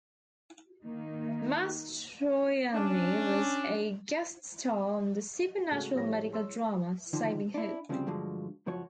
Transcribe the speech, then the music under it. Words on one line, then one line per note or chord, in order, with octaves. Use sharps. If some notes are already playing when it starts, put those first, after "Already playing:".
Mastroianni was a guest star on the supernatural medical drama "Saving Hope".
D#3 A#3 D#4
C#4 D4
C#3 G#3 A3 F#4 G#4 A4
A2 F3 G3 G4 C#5 A#6
G#4 C#5 C6 E6
D3 D#3 F3
D4 E4
D2 C#3 F3 G3 B3 C4
G2 D3 F3 F#3 G#3
C#2 F#2 F3 F#4 C#5